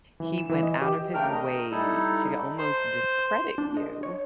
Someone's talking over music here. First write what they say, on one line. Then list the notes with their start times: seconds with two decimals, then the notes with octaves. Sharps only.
he went out of his way to almost discredit you
0.20 E3
0.38 E7
0.49 E3
0.63 D#5
0.81 G4
1.14 C#3 A3 D4 A#4 G5 F6
1.32 D#5
1.71 G3 D#4 E4 A4
2.57 C5
3.58 D4
3.77 D#5
4.03 C#5